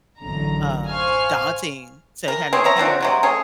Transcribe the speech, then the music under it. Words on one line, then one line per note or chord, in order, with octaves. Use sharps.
uh, daunting to kind of hear
A1 F#2 D3 A#5
C5 F5 G#5 C#6 F6
A#4
C4 C#4 G#4
C#5 E5 A#5
F3 C4 D4 F#4
C3 F#3 G#3
A3 C#4 G#4